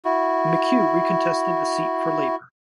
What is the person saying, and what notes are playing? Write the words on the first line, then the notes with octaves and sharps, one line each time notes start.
McKew recontested the seat for Labor.
E4 F#4